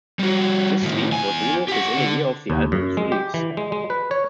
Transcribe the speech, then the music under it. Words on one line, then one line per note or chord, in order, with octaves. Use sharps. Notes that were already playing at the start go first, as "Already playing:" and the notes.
This sleeve was removed within a year of the album's release.
G3 F#4
A2 D#3
E2 G#5
G4 F#5
D3
D#2
F#2
G#3
G4
E3
G#3
G#3
B4
C#5